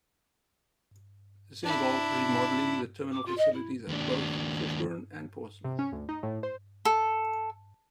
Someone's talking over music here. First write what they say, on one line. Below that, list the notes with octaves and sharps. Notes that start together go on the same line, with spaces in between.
This involved remodelling the terminal facilities at both Fishbourne and Portsmouth.
D4 E4
D6
F4
D#5
E4
D#2 D4
C3
C#4
D2
D#4
A2
C5
A4